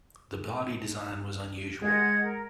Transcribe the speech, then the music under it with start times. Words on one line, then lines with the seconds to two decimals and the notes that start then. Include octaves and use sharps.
The body design was unusual.
1.82 G#3 D#5 F#5 G#6
2.22 A#4